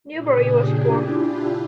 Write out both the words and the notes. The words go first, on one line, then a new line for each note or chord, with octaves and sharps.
Newbury was formed.
A#2 C#3 D4 G4 G#4
D4 E4 F4 G4